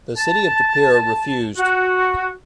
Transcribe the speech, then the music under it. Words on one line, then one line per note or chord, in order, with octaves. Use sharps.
The city of De Pere refused.
A5
F#4